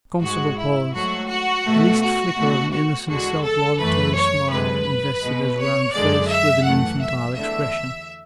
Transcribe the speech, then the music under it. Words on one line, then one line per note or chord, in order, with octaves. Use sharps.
The constable paused; the least flicker of an innocent self-laudatory smile invested his round face with an infantile expression.
G#2 G#3 F#4
E4
G#2 F#3 A3 F#4
F#4
B2 A3
F#4
B2 A3
F#4
E2 D3 G#3 F#4
A4
F#2 E3 A3 B4
C#5
F#2 D3 G#3 B4
B2 G#3
C#5
F#2 D3 G#3 D5
E5
F#2 E3 A3 F#5
E5
E2 D3 A3 E5